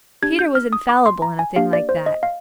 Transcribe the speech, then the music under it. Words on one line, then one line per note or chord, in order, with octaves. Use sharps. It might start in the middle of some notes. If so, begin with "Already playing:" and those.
Peter was infallible in a thing like that.
D4 G4 G#6
G6
F6
D#6
D6
C6
A#5
G#5
A#3 D4 G4 F5
D5
C5
D#5
F5